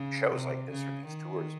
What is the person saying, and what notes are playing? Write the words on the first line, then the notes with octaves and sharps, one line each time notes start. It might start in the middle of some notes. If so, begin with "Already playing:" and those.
shows like this or these tours."
Already playing: C#3
C3
C#3
D#3